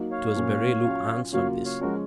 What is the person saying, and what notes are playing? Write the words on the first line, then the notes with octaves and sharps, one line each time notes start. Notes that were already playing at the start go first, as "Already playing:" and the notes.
It was Beryl who answered this.
Already playing: F#3 A#3 D#4 F#4
C#5 F5
A#2 F#3 A#3 C#4
F#3 C#4 F4
C#3 F#3 A#3 F4 C#5 F5
C#5 F5
F3 G#3 C#4 F#4 A#4